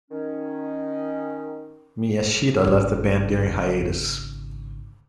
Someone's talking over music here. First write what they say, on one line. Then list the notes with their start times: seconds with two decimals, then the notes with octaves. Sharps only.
Miyashita left the band during hiatus.
0.11 D#3 C#4
2.64 G#1 C#3